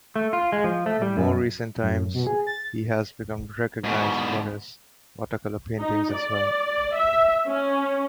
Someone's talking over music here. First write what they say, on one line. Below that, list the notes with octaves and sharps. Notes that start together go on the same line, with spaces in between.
In more recent times, he has become recognised for his watercolour paintings as well.
A3
F4
G#3
F3
A3
G3
F#2
F#2
B2
G#4
A6
G#2 B2
D#4
D5
E5
C#4